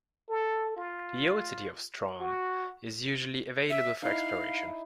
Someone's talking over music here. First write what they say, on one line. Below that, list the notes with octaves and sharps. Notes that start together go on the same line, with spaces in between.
The old city of Strawn is usually available for exploration.
A4
F4
F#4
E5
D#4 E4 F5